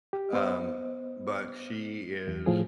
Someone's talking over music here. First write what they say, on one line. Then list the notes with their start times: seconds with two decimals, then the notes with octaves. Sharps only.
um, but she is
0.13 G4
0.33 B3 C5 D#5
2.27 E2
2.46 A2 F3 G#4